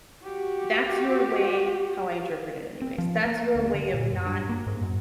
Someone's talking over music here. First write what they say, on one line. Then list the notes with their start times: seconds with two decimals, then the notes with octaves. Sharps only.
that's your way- how I interpret it anyways- that's your way of not
0.24 F#4 G4
2.82 C4
2.98 F3
3.25 A#3
3.55 D2
3.74 D3
3.94 A#2
4.12 F#2
4.26 G2
4.49 A#3
4.67 G#2
4.82 F#2